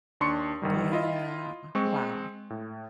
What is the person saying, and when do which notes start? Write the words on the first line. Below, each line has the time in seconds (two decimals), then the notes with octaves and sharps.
Yeah, wow.
0.21 D#2 D4 C6 C#6 C#7
0.62 G1 D#3 G3
0.92 E4 F4 D#5
1.75 G#3 C4 C#6
2.50 A2